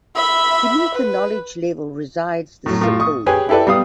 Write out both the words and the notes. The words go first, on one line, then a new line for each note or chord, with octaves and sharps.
Beneath the knowledge level resides the symbol level.
E5 B5
B4
A2 F#3
A2 F4
C#6 D#6
G4 G#4 B4 C#5 G#5
E4 G4 A4 B4 D5
G3 B3 F5 D#6